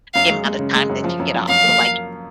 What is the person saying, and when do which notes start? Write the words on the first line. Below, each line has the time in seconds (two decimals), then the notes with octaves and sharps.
the amount of time that you get off. So like,
0.14 F#2 F5
0.29 G#3
0.44 G#3
0.59 C#3
0.74 G#3
0.89 F#2
1.04 F3
1.20 F#2
1.34 F#2
1.48 F#2 F5
1.64 A#3
1.78 A#3